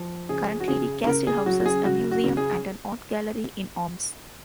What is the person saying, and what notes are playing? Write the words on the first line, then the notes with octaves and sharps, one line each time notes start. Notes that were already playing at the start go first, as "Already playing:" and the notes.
Currently the castle houses a museum and an art gallery in arms.
Already playing: F3
C#3 G#4
F#4
C#3 G#4
C#3 A#4
G#4
F#3 F#4
F#4
G#4
C#3 F#4
F#4
C#3
G#4